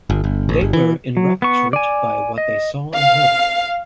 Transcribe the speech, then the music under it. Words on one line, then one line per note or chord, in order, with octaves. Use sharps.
They were enraptured by what they saw and heard.
G1
G1
A1
G1
E3
F#3
B3 C#6
D5 G#5
D#5
F5